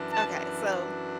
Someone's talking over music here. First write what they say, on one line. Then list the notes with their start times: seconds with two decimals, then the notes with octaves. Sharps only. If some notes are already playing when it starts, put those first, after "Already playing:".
Okay, so
Already playing: F#2 E3 D4
0.12 A5